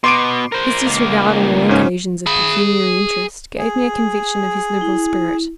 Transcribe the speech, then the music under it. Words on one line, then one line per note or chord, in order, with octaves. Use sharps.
His disregard, on all occasions, of pecuniary interest, gave me a conviction of his liberal spirit.
B2 C6 D6 D7
A#4 C5
C#2 A#3
G#2 C#4
G#4 B5
G#4
E4